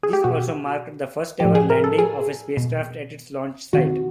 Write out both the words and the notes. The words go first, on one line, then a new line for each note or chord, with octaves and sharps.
This also marked the first-ever landing of a spacecraft at its launch site.
G#4
G4
B2 F#4
A2 F3 G4
G#4
A#4
A4
G#4
B2
C3 D#3 F#4